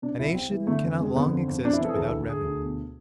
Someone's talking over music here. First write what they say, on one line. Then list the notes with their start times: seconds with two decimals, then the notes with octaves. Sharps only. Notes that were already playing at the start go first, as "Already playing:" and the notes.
A nation cannot long exist without revenues.
0.02 C3 D4
0.18 C2 E4
0.35 C3 C4
0.51 E3
0.67 D3 A3
0.84 F2
1.00 F2 G#3
1.16 D3 B3
1.33 F2
1.48 F2
1.65 F2 D4
1.73 E4
1.81 E3 A4
1.89 G#4
1.96 D2 A4
2.13 D2
2.29 D2 G#4
2.45 D2
2.62 B2